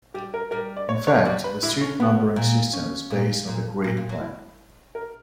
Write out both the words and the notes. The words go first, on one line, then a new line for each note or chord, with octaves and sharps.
In fact, the street numbering system is based on the Grid plan.
G3 G4
A#4
G3 A#4
D5
C#5
C#5
G3 D5
B4
D3 E4
C#4
B2 B3
A#2
C#4
A#2
A#2
A#2
A#2
F#3
E4
A#4